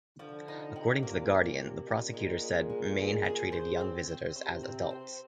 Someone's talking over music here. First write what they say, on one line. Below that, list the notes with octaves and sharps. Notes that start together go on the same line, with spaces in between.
According to "The Guardian", the prosecutor "said Mayne had treated young visitors as adults".
D3 F3
D#4
C3
A#2 A#3
A#3
C3
A#2 D#4
G#3
G#3
G#3
G#4
G#4
C5
C4
C5
C3 C5
C4
C5